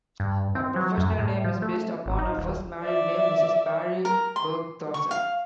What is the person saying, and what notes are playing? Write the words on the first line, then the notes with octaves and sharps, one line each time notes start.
Her professional name is based upon her first married name, Mrs Barry Bergthorson.
G2
C4
F#3
F#2
A2
F3
A3
G#1
D#4
D#1
D5 E5
A#4
C6
C#6
F5